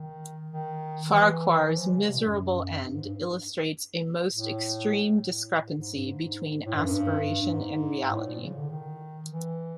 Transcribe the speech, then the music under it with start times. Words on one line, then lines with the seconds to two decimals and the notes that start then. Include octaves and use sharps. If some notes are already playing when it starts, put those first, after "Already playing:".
Farquhar's miserable end illustrates a most extreme discrepancy between aspiration and reality.
Already playing: D#3
0.51 D#3
1.09 E3
1.68 E3
1.77 F3
1.87 G3
1.97 C#3
2.07 C3
2.12 B2
2.16 A#2
2.26 F#2
2.84 G2
2.94 G#2
3.04 G2
4.31 A2
5.19 A2
5.77 G#2
5.92 G2
6.06 G#2
6.65 A2
6.75 G2
6.85 F#2
6.94 G2
7.42 G2
7.53 G#2
8.11 A2
8.26 A#2
8.41 C#3
8.55 D3
8.69 D#3
9.28 E3